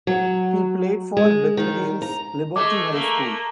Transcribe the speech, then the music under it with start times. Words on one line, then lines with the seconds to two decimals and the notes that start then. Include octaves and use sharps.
He played for Bethlehem's Liberty High School.
0.07 F#3
1.17 G#3
1.57 D#3
2.02 A#5
2.56 G#3 A3 D6
2.91 A3 A#3